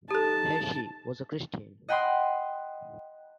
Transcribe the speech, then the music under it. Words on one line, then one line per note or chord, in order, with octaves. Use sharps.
Hershey was a Christian.
D#4 G4 A4 A5
D#5 F#5 G5 B5 C6 D#6